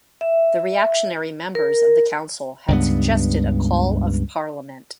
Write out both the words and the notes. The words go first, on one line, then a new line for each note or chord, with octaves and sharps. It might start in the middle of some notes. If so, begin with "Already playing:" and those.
The reactionary members of the council had suggested a call of parliament.
E5
A#4
C#2 G2 B3